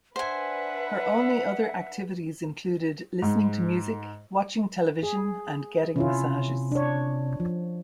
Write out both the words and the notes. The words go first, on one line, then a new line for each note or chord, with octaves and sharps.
Her only other activities included listening to music, watching television and getting massages.
D4 B4 C5 E5 F#5 G#5
G#2
G#4
C3 C#4 E4 F4
D4 C#5
F3